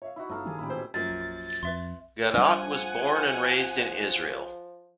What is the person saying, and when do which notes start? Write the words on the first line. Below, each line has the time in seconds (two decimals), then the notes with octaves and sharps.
Gadot was born and raised in Israel.
0.02 C#5 E5 F5
0.16 D#4 E4 F#4 E5
0.29 G1 D#4 E4 A4 F5
0.45 D#3 G4 G#4
0.58 A1 A#2 E4 G4
0.70 B2 G#4 C5 E5
0.94 F#2 F3 A#3 A6
1.63 F2 B4 E5 C6
2.34 F3 G3 D4 F#5 G#5